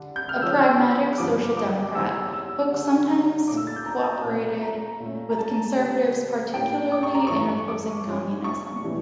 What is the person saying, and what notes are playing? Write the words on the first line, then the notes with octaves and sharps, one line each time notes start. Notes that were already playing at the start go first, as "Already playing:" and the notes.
A pragmatic social democrat, Hook sometimes cooperated with conservatives, particularly in opposing communism.
Already playing: D3 G3 D4
G6
F6
C#3 F3 C#4 E6
G2 D3 F3 C#4 D6
D6
E2 C#3 G3 E6
E6
D3 G3 D4
A#2 A3 C#4 D6
E6
A6
G6
A#5
A#2 A3 C#4
A#5
A#2 A3 C#4
A#5
A5
D3 G3 C#4
A2 G3 A#3 C#4 G5
D6
C#6
A#5
G2 E3 A3 C#4 C#6
D6
G2 F3 C#4
C#6
A2 E3 G3 D4